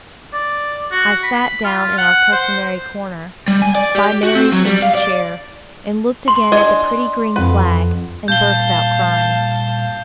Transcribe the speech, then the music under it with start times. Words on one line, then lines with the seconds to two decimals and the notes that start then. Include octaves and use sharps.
I sat down in our customary corner, by Mary's empty chair, and looked again at the pretty green flag, and burst out crying.
0.33 D5
0.92 F#4
1.23 B5
1.65 F4
1.98 F#5
2.32 C5
3.48 G3
3.62 G#5
3.75 D5
3.95 G4
4.23 F#4
4.35 C4
4.53 F#3
4.66 G3
4.82 F5
4.95 D5
6.28 C6 F#7
6.52 D4 D#5 G#5
7.36 F2 B4 F#5
8.28 G2 A#2 F5 A5 G6 G7